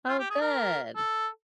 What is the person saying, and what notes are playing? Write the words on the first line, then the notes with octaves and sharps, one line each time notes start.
Oh, good.
F4
G4
G#4
A#4
A4